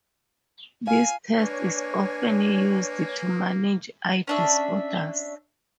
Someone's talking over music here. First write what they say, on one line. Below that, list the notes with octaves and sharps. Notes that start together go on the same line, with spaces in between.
This test is often used to manage eye disorders.
F5 G#5
A#3 D4 B4 C#5 G#5 C#6
C#4 D4 E5